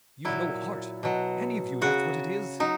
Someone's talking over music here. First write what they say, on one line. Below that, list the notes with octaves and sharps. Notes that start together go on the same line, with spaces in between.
You've no heart, any of you--that's what it is?
A#2 F#3 E4
B2 F#3
C#3 F#3 F#4
F#3 D#4